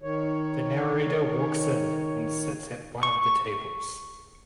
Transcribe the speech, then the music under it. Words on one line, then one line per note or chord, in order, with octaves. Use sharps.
The narrator walks in and sits at one of the tables.
D#3 C#5
C#6